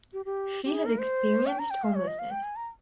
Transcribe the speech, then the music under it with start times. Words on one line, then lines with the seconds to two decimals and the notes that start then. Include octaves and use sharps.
She has experienced homelessness.
0.13 G4
0.25 G4
0.65 G4
0.74 G#4
0.86 A#4
0.98 C5
1.47 G5
1.59 A#5
1.71 G5
1.83 F5
1.95 C#5
2.07 D#5
2.19 F5
2.31 G5
2.43 G#5
2.56 A#5